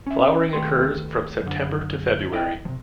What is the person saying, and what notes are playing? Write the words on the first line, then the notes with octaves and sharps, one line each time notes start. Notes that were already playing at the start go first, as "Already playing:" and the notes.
Flowering occurs from September to February.
C#4 E5
D#2 D#3 A3 G4 B4 C6
F#2 D3
E4 F4 D5 D#5 G5
C3 F3